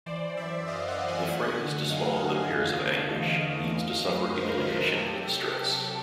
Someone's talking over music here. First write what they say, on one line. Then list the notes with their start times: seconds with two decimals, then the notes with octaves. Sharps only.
The phrase "to swallow the pears of anguish" means to suffer humiliations and distress.
0.06 E3 C5 D5
0.37 F#2 D5 E5
0.67 F#2 D#5 F5
0.88 E5 F#5
0.98 F#2
1.08 F#5 G#5
1.29 A3
1.60 D3
1.90 F#3 D#5 F5
2.21 D3
2.52 E2
2.82 A3
3.13 E3
3.43 A3
3.75 F#2
4.05 F#3
4.36 D#3 A#4 C5
4.61 A#4
4.66 D#3 A4 B4
4.96 F#3 G4 A4
5.28 C3
5.58 F#3